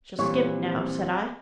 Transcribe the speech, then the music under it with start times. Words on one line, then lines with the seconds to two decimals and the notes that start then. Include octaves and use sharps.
"She'll skip now," said I.
0.19 A#2 E3 G3 C4 C#5